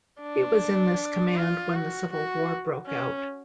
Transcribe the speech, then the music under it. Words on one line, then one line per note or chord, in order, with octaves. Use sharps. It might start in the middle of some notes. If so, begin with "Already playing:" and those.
He was in this command when the Civil War broke out.
D4
F4
F#4
F#4
C#4